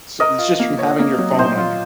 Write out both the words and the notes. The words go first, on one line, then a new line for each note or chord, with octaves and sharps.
So, it's just from having your phone on you
A#4 D#5
F4
A#3
C#5
A#3
F#3
A#2 C5
F4